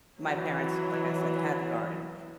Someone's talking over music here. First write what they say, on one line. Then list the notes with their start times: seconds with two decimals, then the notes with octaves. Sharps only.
my parents, like I said, had the garden.
0.20 E3 F#3